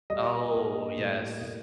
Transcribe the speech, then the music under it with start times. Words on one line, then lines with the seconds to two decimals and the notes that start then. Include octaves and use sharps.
Oh, yes.
0.10 G3 D#5
0.54 A#3
0.98 A2
1.41 A2